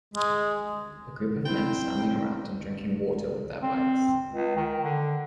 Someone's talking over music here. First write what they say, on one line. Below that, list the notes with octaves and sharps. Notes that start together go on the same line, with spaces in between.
A group of men are standing around and drinking water with their bikes.
G#3
C4 E4 C5 G5
C4
C#2
D#3
D3